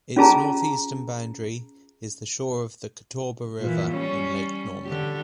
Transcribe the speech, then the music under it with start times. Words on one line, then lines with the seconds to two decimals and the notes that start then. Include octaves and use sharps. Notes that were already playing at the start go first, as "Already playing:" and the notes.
Its northeastern boundary is the shore of the Catawba River in Lake Norman.
0.16 C#4 F4 G#4 A5 A#5
3.60 A#2 E3
3.92 G3 C#4
4.85 D3 G4